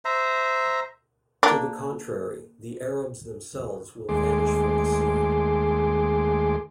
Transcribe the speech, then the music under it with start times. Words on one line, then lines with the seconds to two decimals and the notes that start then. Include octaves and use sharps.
To the contrary, the Arabs themselves will vanish from the scene.
0.05 C5 E5 A#5
1.43 A#3 D4
4.09 D#2 G#3 A3 G#4 C6 D6